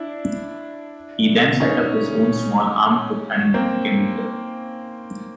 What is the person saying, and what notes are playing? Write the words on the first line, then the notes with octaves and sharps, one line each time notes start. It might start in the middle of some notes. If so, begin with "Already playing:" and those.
He then set up his own small armed group and became leader.
Already playing: D4 E4
C#4 D#4
A#3 C4